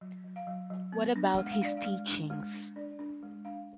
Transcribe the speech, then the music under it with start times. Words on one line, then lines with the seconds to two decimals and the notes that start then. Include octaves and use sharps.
What about His teachings?
0.01 F#3
0.24 F#3
0.36 F5
0.47 F#3
0.70 F#3
0.92 B3
1.16 D4
1.38 G#3 F#5
1.51 F5
1.62 D4 D5
1.77 F5
1.85 G#3
2.08 D4
2.30 G#3
2.54 D4
2.76 D4 D5
2.99 D4
3.23 G#3
3.45 D4 F5